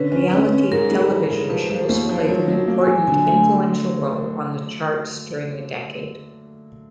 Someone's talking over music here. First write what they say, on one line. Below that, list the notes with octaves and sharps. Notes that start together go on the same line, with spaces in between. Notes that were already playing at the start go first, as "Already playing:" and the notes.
Reality television shows played an important, influential role on the charts during the decade.
Already playing: D3 C#4 B4
C#4
C#4
C#4
G#2 A#4
G3
A4
E3
A#4
G#2
F3 B4
F3
C5
D#2
C#5
F3
F#3 C#5
F#3
A#3
G#5
F#3
D3 G#5
A3 G#5